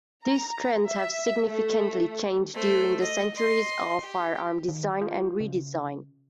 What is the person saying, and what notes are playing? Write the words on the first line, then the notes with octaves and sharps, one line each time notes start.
These trends have significantly changed during the centuries of firearm design and re-design.
A#5
E5
A3
A3 C5
D#5
D#5 C6
G4
D#3
F4
C#3